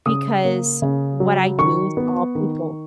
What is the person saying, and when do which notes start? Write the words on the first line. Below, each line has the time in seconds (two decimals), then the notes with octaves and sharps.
because what I do is all people.
0.06 C#3 D#6
0.44 A#3
0.82 C#3
1.20 F#3
1.58 D#3 C#6
1.97 B3
2.35 D#3